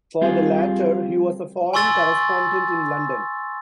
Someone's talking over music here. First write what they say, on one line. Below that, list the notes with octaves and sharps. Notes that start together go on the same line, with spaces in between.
For the latter he was a foreign correspondent in London.
G3 C4 F4 G4 G#4
G#5 C6 C#6 E6 A6